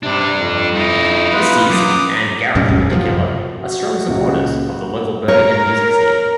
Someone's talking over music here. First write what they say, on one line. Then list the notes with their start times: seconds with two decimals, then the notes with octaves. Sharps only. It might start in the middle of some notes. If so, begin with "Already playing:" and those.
Misty's, and Gareth in particular, are strong supporters of the local Birmingham music scene.
0.03 G2 C3 D4
0.38 F2
0.75 D#4 E4
1.33 B3 F4 B4
1.70 F#2 D6 D#6
2.55 B1 A2 G3 C#4
2.68 F1 D#2 G#2 F#3
2.90 F#2 C3 D#3 F3
3.61 F#4
4.08 C#2 A#2
5.28 A#4 C#5